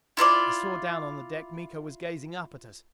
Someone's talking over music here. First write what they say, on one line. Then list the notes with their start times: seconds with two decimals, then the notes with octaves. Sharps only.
I saw down on the deck. Miko was gazing up at us.
0.17 E4 F4 A4 D5